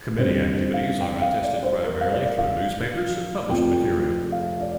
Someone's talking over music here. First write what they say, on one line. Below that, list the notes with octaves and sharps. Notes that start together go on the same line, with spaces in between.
Committee activities are attested primarily through newspapers and published material.
G2 D3 G3 C4 C5
F5
G5
F5
D5
C5
A#4
F5
D5
F5
F1 F2 F3 G5
F5
D5